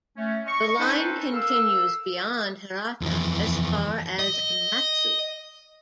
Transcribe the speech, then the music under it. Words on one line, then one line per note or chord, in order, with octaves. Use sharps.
The line continues beyond Hirata as far as Matsue.
A3 C#4
D#5 C#6
C4 C#4 D#4 A4 B4 C5
A4 A#4 F5 E6
F2 E3
D#5